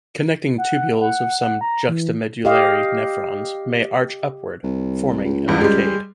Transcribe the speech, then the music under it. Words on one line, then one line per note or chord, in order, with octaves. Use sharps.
Connecting tubules of some juxtamedullary nephrons may arch upward, forming an arcade.
F#5
F#5
F#5
A#5
E3
G4 D#5 F5
C2
C#2
E2 G2
G3 G#3